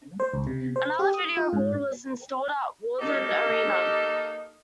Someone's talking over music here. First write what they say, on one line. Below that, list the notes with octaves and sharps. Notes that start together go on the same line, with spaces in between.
Another video board was installed at Worthen Arena.
C5
C#2
C3
C5
G4
D#6
F4
G#2
A#3 D#4 G4 A4